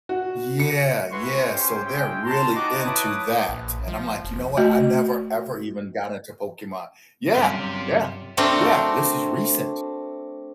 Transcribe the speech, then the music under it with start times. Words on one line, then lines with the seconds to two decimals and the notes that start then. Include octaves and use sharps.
Yeah, yeah, so they're really into that, and I'm like, you know what, I never ever even got into Pokemon. Yeah, yeah, yeah, this is recent,
0.09 F#4
0.60 C#7
1.12 G#3 E4 F#4 B4 C6 C#6
1.50 C#4 G4 C5 G5
1.84 G#3 C#4 E4 G5
2.24 C#4 A5 A#5 C6
2.55 D#4 F#4 G4 D#5 A5 D6
2.84 E4 B4 C#5 A5 D6 D#6
3.49 A#1
3.88 F3
4.24 F1
4.57 A3 F#4 D#5
7.35 G1 F#2 C3 F4 G4 B6 D#7
8.37 A3 C4 D4 F#4 A#4